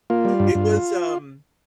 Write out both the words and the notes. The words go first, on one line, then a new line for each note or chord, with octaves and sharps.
It was, um
A#3 F4
G3
G2
G2